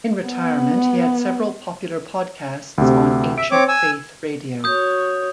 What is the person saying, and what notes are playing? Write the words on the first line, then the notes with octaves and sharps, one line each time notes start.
In retirement, he had several popular podcasts on Ancient Faith Radio.
B3
D2 C3
E5 D7
C4 C#5 D6
G#5 E6
F#4 C#5 D#6 G6